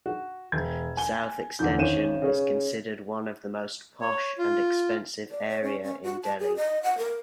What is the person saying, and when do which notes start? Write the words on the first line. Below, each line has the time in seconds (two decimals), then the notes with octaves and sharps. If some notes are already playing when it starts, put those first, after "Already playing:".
South Extension is considered one of the most posh and expensive area in Delhi.
0.06 F#4
0.52 E1 G#6
0.97 G#5 G7
1.59 E2 D3 E3 G6
1.78 G#1 C#4 D#7 E7
2.22 C#3 C#4
4.01 C#5
4.38 F4
5.31 D5
5.49 C#5
5.63 C#4
5.83 C#4
6.03 F#4
6.23 A5
6.39 G#4
6.56 D#5
6.83 F#5
6.98 A#4